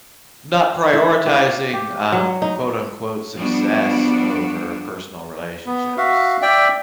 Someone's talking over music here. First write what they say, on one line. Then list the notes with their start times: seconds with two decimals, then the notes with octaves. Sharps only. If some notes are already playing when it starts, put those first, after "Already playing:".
Not prioritizing, um, quote unquote, “success” over personal relationships.
0.93 E4
1.26 G4 F5
1.73 G4
2.12 F#3
2.42 D#4
3.35 F3 G3 B3 D4 F#4
5.66 B3
5.97 F#4 E5 F5
6.42 D5 E5 G5